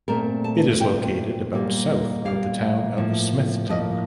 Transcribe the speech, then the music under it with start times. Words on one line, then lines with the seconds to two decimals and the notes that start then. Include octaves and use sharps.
It is located about south of the town of Smithton.
0.08 A#2 A3 C4 A#4
0.44 A5
0.80 A#2 A3 C4 G5
1.53 A#2 G3 A#3
2.25 A#2 G3 A#3 F5
2.97 A2 F3 A#3
3.69 A2 F3 A#3 D#5